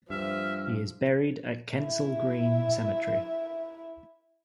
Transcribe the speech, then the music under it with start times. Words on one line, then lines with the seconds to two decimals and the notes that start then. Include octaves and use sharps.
He is buried at Kensal Green Cemetery.
0.10 G2 F3 E5 F6
1.76 E4 E5